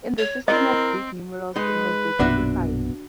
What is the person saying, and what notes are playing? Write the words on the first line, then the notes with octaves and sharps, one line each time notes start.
In the system of Greek numerals it has the value five.
C#5
C4 E4 A#4 D#5
G#3 D#4 B4
A#1 F#2 B2 B3 D4 F#4 E5